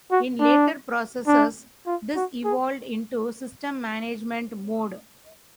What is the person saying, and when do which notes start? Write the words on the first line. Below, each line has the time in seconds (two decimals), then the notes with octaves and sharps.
In later processors, this evolved into System Management Mode.
0.11 F#4
0.40 D4
1.27 D4
1.86 F4
2.16 F#4
2.44 G#4